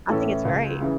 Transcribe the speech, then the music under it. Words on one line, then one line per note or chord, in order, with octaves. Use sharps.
I think it's great.
A2 E3 C#4 A4
C#2
C#3 E3